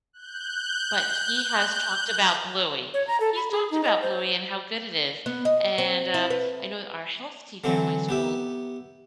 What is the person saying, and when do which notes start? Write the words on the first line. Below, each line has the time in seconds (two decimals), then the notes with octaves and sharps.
but he has talked about Bluey he's talked about Bluey and how good it is, and, um, I know our health teacher in my school
0.13 F#6 G6
2.94 C#5
3.07 A#5
3.20 A4
3.36 B5
3.51 G#4
3.71 D#4
3.84 D#5
4.02 C5
5.26 B3
5.45 D#5
5.78 C4
6.14 E4
6.30 B4
7.64 D3 E3 F#3 C4
8.09 B3 G4 E5